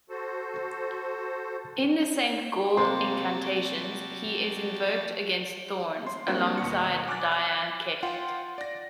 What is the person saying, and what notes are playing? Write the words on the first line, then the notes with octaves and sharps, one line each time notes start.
In the Saint Gall incantations, he is invoked against thorns, alongside Dian Cecht.
F#4 A4 C5
C3 F#3 G3 A#3 A5 C6
C6
G3 A#3 C4 D4 F4 F#4
D#2 B2 F#5 C#6 C#7
G#5 D6 F6 F#6 A6
F4 F#5 G5 C6
D5 A#6